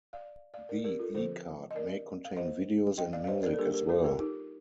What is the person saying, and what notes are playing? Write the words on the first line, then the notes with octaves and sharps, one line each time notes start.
The E-card may contain videos and music as well.
D5 F5
D5 F5
A#4 D5
G4 A#4
F4 A4
D3 F3 C4 A4 C5
D#5
A#4 D5
F5
C5 D#5
D#5 G5
D5 F5
F5
C5 D#5
A#4 D5
A4
G3 A#3 D4 G4 A#4
G4 A#4
F4 A4
G4 A#4
D#4 G4